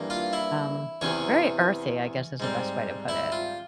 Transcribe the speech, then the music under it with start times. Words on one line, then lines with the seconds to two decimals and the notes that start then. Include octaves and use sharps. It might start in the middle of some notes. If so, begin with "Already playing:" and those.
um, very earthy, I guess, is the best way to put it.
Already playing: G2 E3 A#3
0.10 F4 F5
0.33 E4 E5
1.01 E2 C3 E3 C#4 C#5
2.40 G#2 G3 C4
3.09 E4 E5
3.32 F4